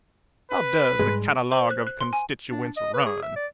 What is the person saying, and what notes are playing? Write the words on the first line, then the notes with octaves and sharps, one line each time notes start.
How does the catalogue of constituents run?'
B4
G#2 G3 G#3
C5
F#6
F#6
C6
G#5
D4
D#5
B4
G#4
E5
D5